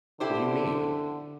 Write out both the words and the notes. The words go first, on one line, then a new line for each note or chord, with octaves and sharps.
What do you mean?
D3 E4 G4 C5